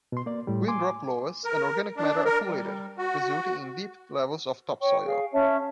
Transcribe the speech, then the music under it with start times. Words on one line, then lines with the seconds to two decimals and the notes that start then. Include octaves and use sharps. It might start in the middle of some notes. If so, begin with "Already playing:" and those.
Wind-dropped loess and organic matter accumulated, resulting in deep levels of topsoil.
0.12 B2 C6
0.26 A#3 D5
0.47 A2 G3
0.68 G#5 C6 D6
1.45 A#4
1.97 D4
2.25 A#4
2.47 G3
2.98 F#4
4.80 C#5 G5 C#6
5.05 G#4 F5
5.33 C#4 C#5 E5 A5